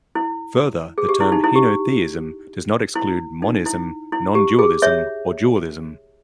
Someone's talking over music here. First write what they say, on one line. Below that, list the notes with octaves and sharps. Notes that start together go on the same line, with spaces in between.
Further, the term henotheism does not exclude monism, nondualism or dualism.
E4
G#4
G4
E4
D#4
E4
G4
E4
D#4
E4
E4
G4
G#4
C#5 E5